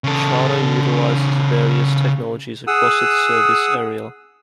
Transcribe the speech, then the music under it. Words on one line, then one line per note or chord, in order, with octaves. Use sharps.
Charter utilizes various technologies across its service area.
C#3 A4
G#4 F#5 D#6 E6